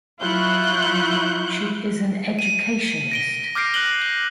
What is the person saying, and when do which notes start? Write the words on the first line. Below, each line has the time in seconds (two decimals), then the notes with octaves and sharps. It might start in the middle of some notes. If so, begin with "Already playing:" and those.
She is an educationist.
0.22 F#3 E4 F4 C#6 F#6 G6
2.39 D#7
3.11 A#6 D7 G7
3.55 D6 F6 G6 A#6 C7 D7
3.74 F#6 A#6 D7 F#7 G7